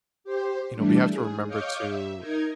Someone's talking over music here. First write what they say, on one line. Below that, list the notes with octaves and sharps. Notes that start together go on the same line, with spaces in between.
you know, we have to remember to
G4 C5
E3 G3 A3 D4
G#4
C#5 D#5 F5 C#6 D6 G6
E5
D#4 A#4 G#6